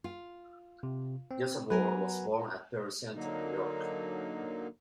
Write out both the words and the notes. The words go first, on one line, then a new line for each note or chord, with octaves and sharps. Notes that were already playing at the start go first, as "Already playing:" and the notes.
Joseph Ward was born at Perry Center, New York.
F4
C3
C4
F#3 B3 A#4 B4 G#5 A#5
D3 F#3 A#3 D#4